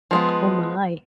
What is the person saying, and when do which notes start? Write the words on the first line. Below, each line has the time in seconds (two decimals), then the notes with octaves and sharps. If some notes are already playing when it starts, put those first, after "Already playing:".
Oh my.
0.11 F3 G#3 B3